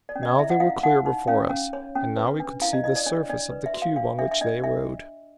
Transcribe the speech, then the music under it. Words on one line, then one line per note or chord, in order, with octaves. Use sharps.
Now they were clear before us, and now we could see the surface of the cube on which they rode.
D5
C#4
D#5
E4 E5
F#5
E4 F5
D#4 F#5
D#4
C#4 F5
C#4
C#5
C#4
B4
D4
E4 F5
D#5
E4 D#5
D5
D4 C#5
D4 D5
B4
E5
F#4
F5
D4 F5
D4 E5
E5
D4 D#5
D4 E5